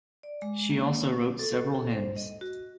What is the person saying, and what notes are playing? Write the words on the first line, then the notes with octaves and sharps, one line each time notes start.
She also wrote several hymns.
D5
G#3
A#3
A4
C5
D#5
F#4